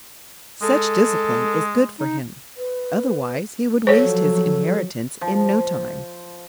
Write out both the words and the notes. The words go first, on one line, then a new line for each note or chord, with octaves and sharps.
Such discipline is good for him, otherwise he would waste his inheritance in no time.
G#3 A4
D#4
B4
F3 F#3 A4 C5 C#5
F3